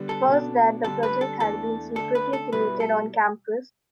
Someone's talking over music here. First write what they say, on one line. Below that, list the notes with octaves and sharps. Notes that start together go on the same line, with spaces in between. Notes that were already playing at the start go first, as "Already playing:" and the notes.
First, that the project had been secretly created on campus.
Already playing: D3 G3 B3
A4
B2 B3 D4
D3 G3 D4 A4
B4
A4
E2 E3 A3 D4 A4
D3 A3 D4 A4
B4
A4
B2 G3 E4 B4
A4